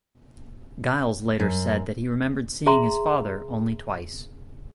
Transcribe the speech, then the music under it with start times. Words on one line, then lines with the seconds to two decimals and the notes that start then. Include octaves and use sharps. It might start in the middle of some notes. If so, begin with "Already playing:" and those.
Giles later said that he remembered seeing his father only twice.
1.40 F#2
2.66 G#4 E5 A#5 C6